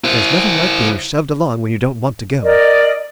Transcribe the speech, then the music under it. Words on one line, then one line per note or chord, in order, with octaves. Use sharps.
There's nothing like being shoved along when you don't want to go.
E4 C5
A#4 D5 D#5